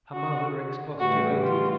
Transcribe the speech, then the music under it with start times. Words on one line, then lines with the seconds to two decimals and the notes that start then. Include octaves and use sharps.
Her mother expostulated.
0.13 F#4
1.00 A2 E3 G3 F#4
1.45 F4